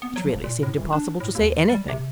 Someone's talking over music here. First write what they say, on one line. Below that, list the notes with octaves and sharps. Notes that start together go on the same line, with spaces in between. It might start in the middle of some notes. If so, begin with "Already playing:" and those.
It really seemed impossible to say anything!
B3
F#3
E1
A#2
A2
D#1
D4
A2
D#2
G3
C3